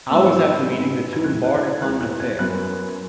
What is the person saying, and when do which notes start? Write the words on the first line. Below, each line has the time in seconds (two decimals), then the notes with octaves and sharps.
Hours after meeting, the two embark upon an affair.
0.10 G#2 G#3 B3 E6
0.67 G#2 G#3 B3
1.13 G#6
1.24 E2 E3 G#3 F#6
1.44 F#6
1.55 F#6
1.63 G#6
1.82 E2 E3 G#3 F#6
2.01 F#6
2.20 G#6
2.39 F#2 F#3 B3 F#6